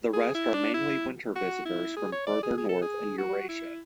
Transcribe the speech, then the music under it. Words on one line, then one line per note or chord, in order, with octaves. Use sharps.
The rest are mainly winter visitors from further north in Eurasia.
G#4
E4
D4
E4
F#4
E4
G#4
C#5
D5
G#4
G#4
A4
G#4
F#4
E4